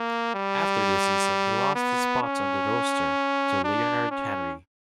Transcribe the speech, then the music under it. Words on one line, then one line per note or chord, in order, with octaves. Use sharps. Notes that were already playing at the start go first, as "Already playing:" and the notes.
After the season, he lost his spot on the roster to Leonard Henry.
Already playing: A#3
G3
B3
C#4
D4
C#4